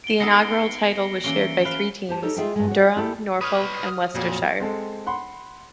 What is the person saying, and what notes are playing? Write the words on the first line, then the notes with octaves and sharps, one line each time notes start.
The inaugural title was shared by three teams: Durham, Norfolk and Worcestershire.
D7 G7
B3 D#4 A4 A#6 C7 C#7
E3 A#3 C#4 D7 G7
B4 F5
G4 C5 A5
D#4 G4 A4 A#4 C#5
G#3 F4 G#4 E5 F5 G5
G2 G#3
F#4 C#5
E4 G4 A4
B4 C#5 D#6 F6
F2 A#2 F#3
G#3 C4 A4
F#5 B5 C6